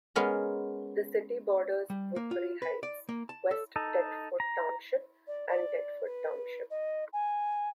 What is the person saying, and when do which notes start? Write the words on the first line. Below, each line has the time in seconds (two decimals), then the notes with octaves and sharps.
The city borders Woodbury Heights, West Deptford Township and Deptford Township.
0.16 G#3 B3 C#4 A#4
1.90 G3
2.16 A#3
2.31 F4
2.62 B4
2.83 D5
3.09 A#3
3.29 A5
3.51 A4
3.76 D#4 A4
4.40 A#5
5.27 D5
5.48 D5
6.05 B4
6.70 D#5
7.12 G#5